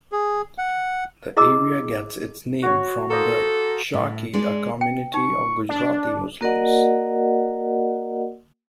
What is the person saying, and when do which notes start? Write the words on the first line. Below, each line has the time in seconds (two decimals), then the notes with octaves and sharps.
The area gets its name from the Chakee, a community of Gujarati Muslims.
0.12 G#4
0.58 F#5
1.37 E4 G#4 D#5 A#5 D6 E6
2.62 F#4 C#5
3.10 A#3 A4 C5 D#5
3.93 A2
4.33 G#3 D4 D5
4.81 G5
5.14 D#4 C#6
5.69 D4
6.41 A#3 F#4 A#4 D5 D#5 F#5